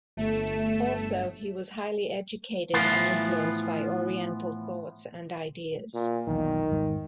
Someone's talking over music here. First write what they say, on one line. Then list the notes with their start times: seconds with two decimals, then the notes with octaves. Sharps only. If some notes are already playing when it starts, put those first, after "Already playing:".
Also he was highly educated and influenced by Oriental thoughts and ideas.
0.17 G1 A3 E7
2.74 A2 E3 F3 B3 F4
5.94 A#2
6.27 B1 E2 D#3
6.69 G#1 E2 G#3